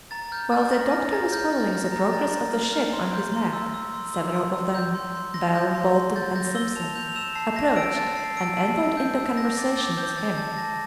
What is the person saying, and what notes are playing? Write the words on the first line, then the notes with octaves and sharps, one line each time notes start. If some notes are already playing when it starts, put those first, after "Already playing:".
While the doctor was following the progress of the ship on his map, several of them, Bell, Bolton, and Simpson, approached and entered into conversation with him.
A#5 A6
F6 G6
F6 A6
F6 A#6
F6 A#6
A#5 A6
F6 G6
F6
A6
F6
A#6
A#5
A#5 A6
A#5
F6
F6
C6
G6
C6
E6
E6
C6
E6
C6
E6
G6
C6
C6
C6 A#6
G6
C6
C6
G6 A6
G6 A#6
E6 G7
A5 F7
G6 F7
F7
E6 E7
A5 C7
A5 A#6
E6 D7
A5 A6
A5 C7
E6 D7
A5
E6
G6
E6
G6 A#6
D6 A6
D6 A6
G6
D6 A6
A5 A6
A5 A#6